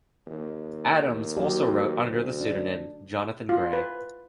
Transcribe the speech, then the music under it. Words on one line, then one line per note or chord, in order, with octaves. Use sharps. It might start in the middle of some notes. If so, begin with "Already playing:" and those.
Adams also wrote under the pseudonym 'Jonathan Gray'.
D#2
F#3 G4
D2
D4
F4
B4